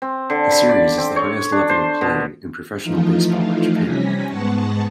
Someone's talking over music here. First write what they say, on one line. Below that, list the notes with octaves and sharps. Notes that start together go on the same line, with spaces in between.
The Series is the highest level of play in professional baseball in Japan.
C4
D3
B5
D5
C4
C#5
D4
C5
B2
E3 F3 A3 D#4 F4
C3 G3 C#4 G#5 A#6 B6
G#2 G#3 B3 F#5 A5 C#6